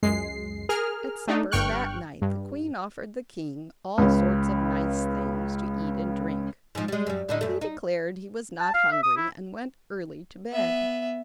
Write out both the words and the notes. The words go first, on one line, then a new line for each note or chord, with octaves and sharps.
At supper that night the queen offered the king all sorts of nice things to eat and drink, but he declared he was not hungry, and went early to bed.
C#2 F#2 G#3 C7
G#4 A#4 F6
A3 D4 D#4
G1 G2 G5 C#6 F6 F#6
G2
C#2 C#3
G#2 F3
G3 G#3
F#2 G3
A2 D3 D#4
F#2 A3
D#4
A5
F5
E5
D#6
E4
B3 E5